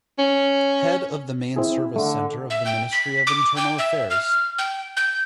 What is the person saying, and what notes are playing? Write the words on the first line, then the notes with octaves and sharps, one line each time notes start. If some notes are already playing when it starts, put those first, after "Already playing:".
Head of the Main Service Center of the Ministry of Internal Affairs.
C#4
C4 E4 G#4
D3 A3
E5
G5
B6
D6
G5
E5
F6
G5
G6